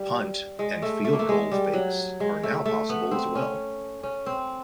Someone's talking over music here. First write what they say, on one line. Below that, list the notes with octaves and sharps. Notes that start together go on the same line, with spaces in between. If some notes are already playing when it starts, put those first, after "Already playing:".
Punt and field goal fakes are now possible as well.
Already playing: G3
G#3
A3
A3
A#3
A3
G#3
G3
F#3
G#3
A3
A3
B3
C4
C#4
C#4
C4